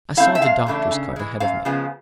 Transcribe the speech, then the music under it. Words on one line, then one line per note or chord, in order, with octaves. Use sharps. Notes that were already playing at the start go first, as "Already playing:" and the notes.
I saw the doctor's cart ahead of me.
A3 C4 E4 F5
E5
F2 F5
C#3 E3 A3 D4
C#3
E3 G#3
F#2 F5
C#3 F3 G#3 B3